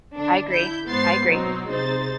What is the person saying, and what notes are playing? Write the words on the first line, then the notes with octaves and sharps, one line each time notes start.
I agree, I agree.
D3 D4
E4 G6
G#2 B3 C5 A6 C7
B2 F#3 C4 D#4
C3 D#4 G#4 C5 A6